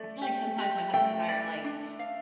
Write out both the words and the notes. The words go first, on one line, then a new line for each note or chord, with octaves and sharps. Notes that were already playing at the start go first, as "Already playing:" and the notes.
I feel like, sometimes, my husband and I are, like,
Already playing: A3 D5
G4
G4
A3 G5
D5
D4
F5